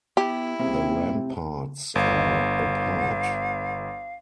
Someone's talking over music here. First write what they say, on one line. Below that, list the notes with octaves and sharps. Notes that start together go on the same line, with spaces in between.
The ramparts are apart.
B3 E4 G4
C3 A#3 C#4 G#4
G1 F5